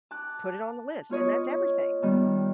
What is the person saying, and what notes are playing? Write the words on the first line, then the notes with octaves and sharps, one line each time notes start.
put it on the list, and that's everything.
A5 D6 F#6
B3 F4 C#5 D#5
D#3 G3 B3